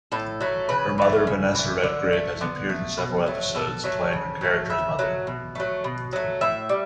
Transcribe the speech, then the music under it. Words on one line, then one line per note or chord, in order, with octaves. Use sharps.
Her mother, Vanessa Redgrave, has appeared in several episodes, playing her character's mother.
A2 A4
F#3 A3
C#3 B4
E3 A3
C#3
E3 A3
D3
A3
D3 B3
A3
B2
F#3 A3
B2 A4
F#3 A3
C#3
F#3 A3
C#3 E5
F#3 A3
B2
F#3 A3
B2
F#3 A3
A2 E5
G3